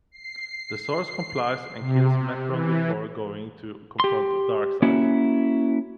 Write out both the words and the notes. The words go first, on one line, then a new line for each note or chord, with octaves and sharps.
The Source complies, and kills Metron before going to confront Darkseid.
C7
C3
E3
G4 C6
A#3 C#4 E4 F#4